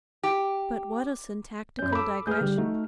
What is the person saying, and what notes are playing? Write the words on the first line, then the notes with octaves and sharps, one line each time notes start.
But what a syntactical digression!
G4
F#2 C#4 G6
A4 B5 D6 E6
A3 G#4 B4 F6 G6
D3 G3 G4
A3 D#4 F#4